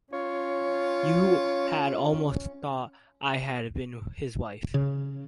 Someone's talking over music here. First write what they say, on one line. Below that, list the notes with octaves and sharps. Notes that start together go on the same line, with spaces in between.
You had almost thought I had been his wife.
C#4 F4 C#5
C#3